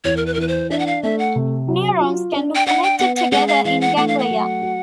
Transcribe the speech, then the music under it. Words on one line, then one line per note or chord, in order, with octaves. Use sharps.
Neurons can be connected together in ganglia.
E2 C#5
A#4
B4
A#4
E3 B4
C5
D4 E5
F#5
F5
A3 E5
F#5
C3
F#3
F4
D4
G5
D4 F#5
G5
B3 F#5
F#5
G#3 F#5
F5
E3 F5
F#5
A3 F#5
F5
F#5
F#3
F#4